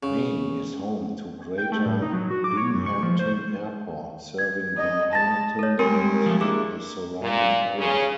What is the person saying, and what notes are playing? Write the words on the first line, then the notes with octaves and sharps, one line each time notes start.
Maine is home to Greater Binghamton Airport, serving Binghamton and the surrounding area.
C#3
G5
A3
A2
D#4
F#3
F#4
D6
C#5
F#2
C#6
F3
C5
G#6
D#5
A5 A6 A#6
A4 C#5
D#2 G3 G#3 C4 A#4
F3 A3
A#3 D4 E4 G#4
A#2
C#3